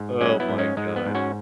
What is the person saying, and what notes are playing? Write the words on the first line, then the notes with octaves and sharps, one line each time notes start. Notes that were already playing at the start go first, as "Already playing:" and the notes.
Oh my god.
Already playing: G#2
F#3 G#3 C#4
B3 E4
G#2
G#3 C#4
G#2 G#3
B3
G#2
C#4 F#4